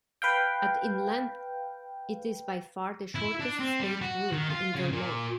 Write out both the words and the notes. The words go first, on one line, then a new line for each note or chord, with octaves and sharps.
At in length, it is by far the shortest state route in Vermont.
B4 F5 G5
E4
D4
C4
G3
F#4
D#3
F4
C#3
A#2